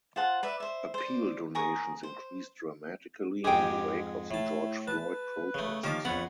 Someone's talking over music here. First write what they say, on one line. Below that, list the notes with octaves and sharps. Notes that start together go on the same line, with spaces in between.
Appeal donations increased dramatically in the wake of the George Floyd protests.
F4 C5 F#5 A5
B4 D5 E5
C5 E5
C5 D5
G#4 A#4 C#6 D#6
C5
F2 G#2 G#3 G4 G#4 G5
A2 E4 A5
B4 A5
C#3 A3
D#3 F3 A#3 G4 C#5 A5
F2 C#3 B3 C#4 F#5